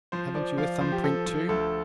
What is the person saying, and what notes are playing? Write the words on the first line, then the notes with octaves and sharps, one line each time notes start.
"Haven't you a thumb-print, too?"
F3 C5
F3 D5
F3 F5
F3 C5
G4
F3 A4
F3
D2 A4